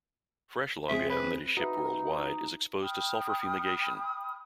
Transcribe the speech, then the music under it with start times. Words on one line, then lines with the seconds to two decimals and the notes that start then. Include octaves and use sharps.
Fresh longan that is shipped worldwide is exposed to sulfur fumigation.
0.89 F2 C4 G#4 E5
1.10 B4
1.57 D#4 F#4 B4 E5
2.82 G5 B5 D#6 F6